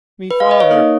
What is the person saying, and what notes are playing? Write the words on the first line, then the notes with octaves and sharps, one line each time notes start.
Me father!
B4
F5
D#5
C#5
A#3 D#4 A#4 F5